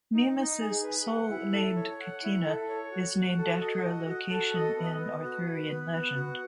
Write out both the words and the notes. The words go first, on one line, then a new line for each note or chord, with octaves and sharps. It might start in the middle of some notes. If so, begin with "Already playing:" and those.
Mimas's sole named catena is named after a location in Arthurian legend.
D#4
D#4
G#4
B4
F#5
E4
A4
C#5
F#5
E4
A4
C#5
F#4
F#4
A4
D#5
F#4
F#4
A4
D#5
B3
B3
F#4
B4
B3
B3
F#4